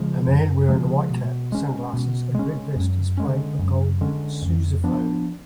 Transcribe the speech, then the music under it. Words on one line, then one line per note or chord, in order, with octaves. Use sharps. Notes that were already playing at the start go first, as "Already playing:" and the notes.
A man wearing a white cap, sunglasses, and red vest is playing a gold sousaphone.
Already playing: C#3 F3 G#3
F#2
C#3 F3 G#3
B2
G#3 C#4
B2
G#3 C#4
F#2
D3 G#3 C#4
F#2
D3 G#3 C#4
F2
F3 B3 D4